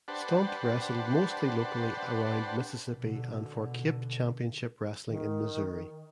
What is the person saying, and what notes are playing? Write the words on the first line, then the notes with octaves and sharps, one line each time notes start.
Stunt wrestled mostly locally around Mississippi and for Cape Championship Wrestling in Missouri.
D4 G4 B4 C5 F#5 A5
B2 D3
D#3